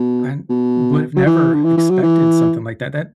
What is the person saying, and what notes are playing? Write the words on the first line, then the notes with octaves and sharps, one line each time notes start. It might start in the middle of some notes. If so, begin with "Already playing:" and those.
I I would’ve never expected something like that that
Already playing: B2
B2
F#3
E3
D3
E3
E3
F#3
E3